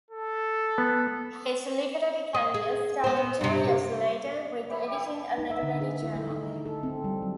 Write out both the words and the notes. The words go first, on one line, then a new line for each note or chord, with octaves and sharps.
His literary career started two years later with editing a literary journal.
A4
B3
D#5
G#4
B3 C5
G2 C3
D#4
E5
D3
G#4
E4
A3
D#4
A4
C4
G3
F#3